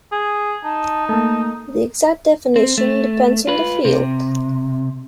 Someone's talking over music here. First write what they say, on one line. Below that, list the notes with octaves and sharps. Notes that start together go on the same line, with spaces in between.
The exact definition depends on the field.
G#4
D#4 A5
A3 A#3 A5
C4
A3
F4 B4
C3